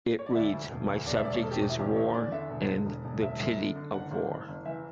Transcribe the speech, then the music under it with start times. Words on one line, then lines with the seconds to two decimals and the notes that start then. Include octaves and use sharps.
It reads: My subject is War, and the pity of War.
0.19 C#5
0.26 D5
0.35 D2 E5
0.53 D2
0.71 E1
0.89 D2
1.06 E1 D5
1.16 E5
1.24 E1 D5
1.33 C#5
1.43 E1 A4
1.51 G4
1.61 E1 F#4
1.70 E4
1.79 E2 G4
1.96 D3 C#5
2.14 E2 D5
2.32 D3 E5
2.50 E1
2.68 D3
2.86 E1
3.05 E1
3.22 F#1 E5
3.40 F#2
3.58 D3
3.76 D3
3.93 F#1 F#5
4.11 F#1
4.30 F#1
4.48 F#1
4.66 E3 E5